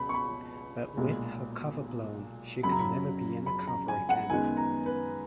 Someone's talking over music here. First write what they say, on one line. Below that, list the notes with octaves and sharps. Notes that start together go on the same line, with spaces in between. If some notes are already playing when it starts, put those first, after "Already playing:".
But with her cover blown, she could never be undercover again.
Already playing: C#2 B2 B5
C#6
B5
B1 A#2 G#3
F#2 C#3 F#3 C#4 B5
A#5
B5
B5
A#5
G#5
F#5
F#2 D#3 G#3 B3 G#5
A#5
B4